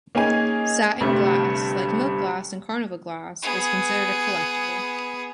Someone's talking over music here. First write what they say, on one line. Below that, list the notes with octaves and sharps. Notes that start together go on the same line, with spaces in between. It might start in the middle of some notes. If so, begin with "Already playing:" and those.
Satin glass, like milk glass and carnival glass, is considered a collectible.
A#3 C#4 D#4 G#4 G#5
G1 G2 C3 G3 A3
B3 G#4